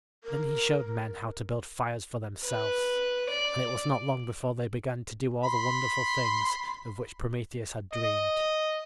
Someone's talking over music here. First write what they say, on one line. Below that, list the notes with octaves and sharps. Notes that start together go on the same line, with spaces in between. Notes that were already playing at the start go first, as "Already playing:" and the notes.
Then he showed men how to build fires for themselves, and it was not long before they began to do all the wonderful things of which Prometheus had dreamed.
A#4
B4
D5
B5 C6
D#5